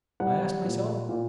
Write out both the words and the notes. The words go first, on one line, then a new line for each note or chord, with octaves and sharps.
I asked myself.
G3 F#5
A#2
A#2